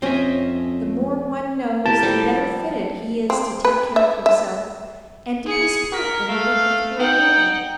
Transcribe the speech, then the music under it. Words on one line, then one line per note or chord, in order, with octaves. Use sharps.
The more one knows the better fitted he is to take care of himself and do his part in the work of the Great World.
F2 C4 C#4 D#5 E5
A2 G4 A#4 G5 A5
F3 G3 A4
C4
B4
E5
E5
G#4 C#7
A#4 B6
A3 F5
D#4 F#5 G5